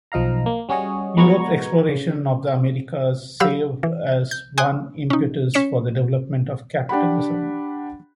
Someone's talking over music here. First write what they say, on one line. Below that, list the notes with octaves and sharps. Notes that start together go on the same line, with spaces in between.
Europe's exploration of the Americas served as one impetus for the development of capitalism.
B1 F3 D#4 F5 A#5
A#3
G3 C#4 F#4 G#4 C#5 D#5
G#3 B3 F#4 A#5 C#6 G#6
C#3
F#3 G4 F5 B5 E6
E3
G6
G5 G#5 C6 D#6 F#6
C#4 D#4
C#4 C#5 B6 C#7 E7
D4 G4 F#5 B5